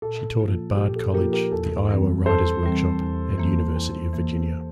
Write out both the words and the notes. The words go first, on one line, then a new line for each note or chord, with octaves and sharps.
She taught at Bard College, the Iowa Writers' Workshop, and University of Virginia.
A#2 A4
F3 A#3 F4
A#2 G4
A4
F3 A#3 F4 G4 A#4
G4 A#4
E2 A4
E3 G3 C4
E2 A4 C5
E3 G3 C4
E2
E3 A#3
E2
E3 A#3